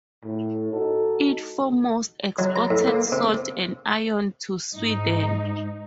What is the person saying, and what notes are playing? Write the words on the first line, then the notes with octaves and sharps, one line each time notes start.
It foremost exported salt and iron to Sweden.
A2
D#4 F#4 A4
F#3
A#5
A2
A#3
C3
G#2 D#4